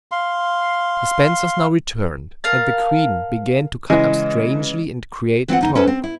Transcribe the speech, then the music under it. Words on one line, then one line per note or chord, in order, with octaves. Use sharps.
The Spencers now returned, and the queen began to cut up strangely and create talk.
F5 C6
A#4 F5 A5
C#3 E3 G#3
E3 C4 F4 F#5
E2 D#4
C#4 A4 B4 C5
C4
E4